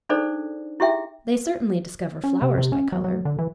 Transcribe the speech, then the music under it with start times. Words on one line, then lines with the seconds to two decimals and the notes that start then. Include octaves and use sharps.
They certainly discover flowers by colour.
0.09 D4 D#4 G#4 A4 C5 D5
0.80 E4 G4 G#4 E5 G5
2.24 C#4
2.42 C3
2.58 C3
2.72 C#4
2.92 F#3
3.04 F#3
3.25 D3
3.39 E3